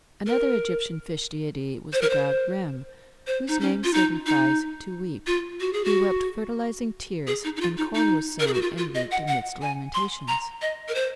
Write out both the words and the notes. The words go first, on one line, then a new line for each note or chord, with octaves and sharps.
Another Egyptian fish deity was the god Rem, whose name signifies "to weep"; he wept fertilizing tears, and corn was sown and reaped amidst lamentations.
A#4
C5
A#4
C5
C5
D#4
C#4
F4
D#4
D#4
F4
F#4
G#4
F#4
G#4
D#4
D#4
F4
D#4
D#4
A#4
G#4
F#4
F4
F4
D#5
F#5
F#5
G#5
C6
A#5
D#5
A#4
C5